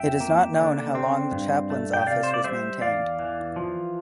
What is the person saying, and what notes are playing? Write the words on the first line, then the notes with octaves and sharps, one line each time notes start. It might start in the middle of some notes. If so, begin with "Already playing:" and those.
It is not known how long the chaplain's office was maintained.
Already playing: F2 E5 G5
A#3
D3
C4
G2
A3
G5
C3 D5 F5
C5
D5
G3 C5 E5
E2 D5 F5
E3
F3